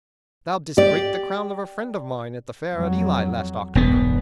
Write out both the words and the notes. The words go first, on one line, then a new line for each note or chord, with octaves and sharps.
Thou didst break the crown of a friend of mine at the fair at Ely last October.
G4 D5
F2 F#3
E1 B1 G2 B3